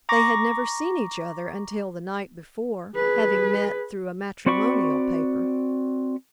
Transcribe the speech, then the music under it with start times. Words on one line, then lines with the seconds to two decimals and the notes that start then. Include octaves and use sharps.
They had never seen each other until the night before, having met through a matrimonial paper.
0.09 A#5 C#6 D6 A#6
2.96 G#4 B4
4.46 C4 F#4 D5 B5 C#6